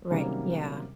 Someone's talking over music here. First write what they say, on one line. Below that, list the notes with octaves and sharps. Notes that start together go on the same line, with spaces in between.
Right, yeah.
C3 D#3 F#3 G3 A#3 C#4